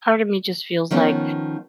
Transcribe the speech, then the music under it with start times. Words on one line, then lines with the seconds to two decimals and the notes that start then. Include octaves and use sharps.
part of me just feels like
0.91 D#3 F3 B3 C#4